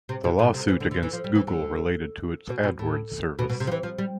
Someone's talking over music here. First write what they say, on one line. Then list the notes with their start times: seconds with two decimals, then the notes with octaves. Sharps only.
The lawsuit against Google related to its AdWords service.
0.09 C3
0.24 B2
0.39 A2
0.54 C3
0.68 E3
0.80 D3
0.91 D3
1.03 E3
1.13 F3
1.24 G3
1.35 E3
1.47 D3
2.49 B2
2.63 B2
2.79 A2
3.39 B2
3.49 B2
3.60 C3
3.67 F3
3.72 E3
3.83 F3
3.98 G3